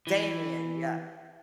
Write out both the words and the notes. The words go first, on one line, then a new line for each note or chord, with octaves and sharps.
Damien. Yep.
E3